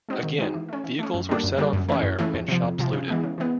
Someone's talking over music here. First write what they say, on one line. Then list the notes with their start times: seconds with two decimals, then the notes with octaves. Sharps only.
Again, vehicles were set on fire and shops looted.
0.09 G#3 C4 D#4 F#4
0.23 D#3
0.39 G#3 C4 D#4 F#4
0.54 E3
0.69 A3 C#4
0.84 E3
0.99 A3 C#4
1.14 F#2
1.29 D3 G3 A#3 D4
1.44 F#2
1.58 D3 G3 A#3 D4
1.73 F#2
1.89 C#3 E3 A3
2.03 F#2
2.19 C#3 E3 A3
2.34 F2
2.48 C3 F3
2.64 F2
2.79 C3 F3
2.93 C#3
3.08 E3 G#3 B3
3.24 C#3
3.38 E3 G#3 B3